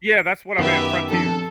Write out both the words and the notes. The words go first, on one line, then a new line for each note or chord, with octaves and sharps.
Yeah, that's what I meant, frontiers.
D7
F#2 D#3 B3 G4 B4 E5
F3 C4 D4 A4